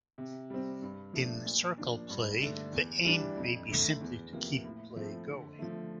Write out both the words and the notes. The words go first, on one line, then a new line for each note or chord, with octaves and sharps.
In circle play, the aim may be simply to keep play going.
C3
G3 C4
G2
F3 A3 D4
A#2
F3 A#3 D4
G2
D3 A3 D4
E2
E3 G3 D4
F2
D3 A3
E2
C3 F3 A#3
A2
F3 A3 C4
D3
F3 A3